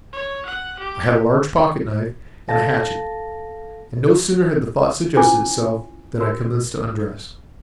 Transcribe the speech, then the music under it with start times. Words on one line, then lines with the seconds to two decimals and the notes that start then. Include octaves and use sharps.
I had a large pocket-knife and a hatchet, and no sooner had the thought suggested itself than I commenced to undress.
0.13 C#5
0.46 F#5
0.80 G4
2.49 A4 F5 A5 A#6
5.16 C#4 E4 F4 C5 G#5 D6
6.20 F#4 A#4